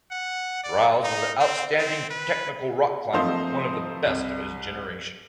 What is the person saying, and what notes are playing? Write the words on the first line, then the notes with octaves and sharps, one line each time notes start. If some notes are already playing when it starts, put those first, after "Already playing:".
Rouse was an outstanding technical rock climber, one of the best of his generation.
F#5
D5
D#4
C4
C4
B4
F3 A3 A#3 C4 D#4 C5
C2